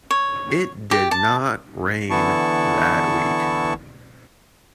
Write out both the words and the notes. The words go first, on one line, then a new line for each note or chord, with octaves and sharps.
It did not rain that week.
C#5
G4
A5
D3 E3 B3 E4 A5 C#6